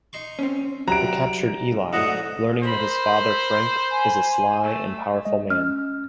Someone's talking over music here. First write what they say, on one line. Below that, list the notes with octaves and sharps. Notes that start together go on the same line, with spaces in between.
They capture Eli, learning that his father Frank is a sly and powerful man.
D#4 C6 C#6
C4 C#4
C2 C3 F#3 A#5 D7
B1
G#2 D3 F#3 A3 E4 D#5 F#5
A#4 C5 B5
G#5
A3
G#3 D#5
C#4 F6